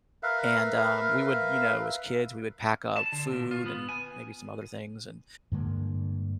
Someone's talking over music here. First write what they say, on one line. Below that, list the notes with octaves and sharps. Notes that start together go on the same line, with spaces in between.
And, um, we would, you know, as kids, we would pack up food and maybe some other things and
A#4 B4 E5 F5
A5
D3
A#2
F4
B3
G#5
G2 D3 G#3 A#3